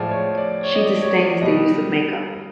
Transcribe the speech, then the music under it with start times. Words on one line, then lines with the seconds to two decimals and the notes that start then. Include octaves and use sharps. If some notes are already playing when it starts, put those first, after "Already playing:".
She disdains the use of makeup.
Already playing: A2 F3 G#3 D5
0.11 C#5
0.29 C#5
0.37 D5
0.64 C#5
0.75 D#5
0.82 D5
1.02 C#5
1.21 D5
1.41 B2 G3 D#5